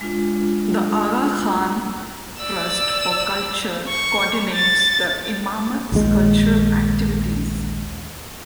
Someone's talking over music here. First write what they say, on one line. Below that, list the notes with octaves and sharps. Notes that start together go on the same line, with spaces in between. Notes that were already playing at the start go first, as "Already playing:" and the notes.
The Aga Khan Trust for Culture co-ordinates the Imamat's cultural activities.
G#3 D4 F4
D5 E6
C#6
A6
A#1 D#2 G#3